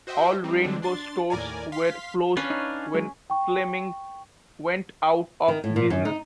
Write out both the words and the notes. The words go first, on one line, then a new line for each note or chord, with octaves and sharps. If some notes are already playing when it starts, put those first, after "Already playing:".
All Rainbow stores were closed when Fleming went out of business.
F#4 C5 D#5 E5 G5
G3 C4 D#4
D3 G3 G#3 C4 D4
D4 C6 A6
D#2 A2 A#4 D5 G#5
F5 C6 B6
C#4 D4 B4 F5
D#4
F#3 G#3
G5 C#6
D#3
A2
A#2
F#2
D#4